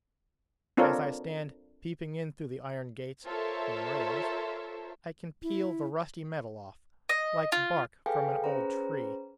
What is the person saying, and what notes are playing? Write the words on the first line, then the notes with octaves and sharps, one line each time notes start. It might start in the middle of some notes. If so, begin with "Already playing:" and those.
As I stand peeping in through the iron gates and rails, I can peel the rusty metal off, like bark from an old tree.
C4 D4 F4 A4 A#4 C#5
F4 A4 A#4 C5 C#5 E5
E4
D#5
F4
G#4 A4 B4 F5 G5 G#5
C#4 G#4 B4 C5 A#5